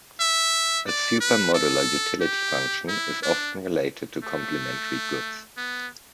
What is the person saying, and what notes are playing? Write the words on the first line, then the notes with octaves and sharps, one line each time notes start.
A supermodular utility function is often related to complementary goods.
E5
D5
B4
A4
G4
E4
D4
A3
B3